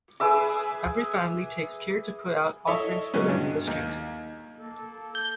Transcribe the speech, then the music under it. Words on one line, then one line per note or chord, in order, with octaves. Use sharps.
Every family takes care to put out offerings for them in the street.
G#4 B4 E5 D6
E4 A4 C#5 D#5 E5
B2 E3 F#3 G#3 C#4
G2
D#2
A#3 A4
G6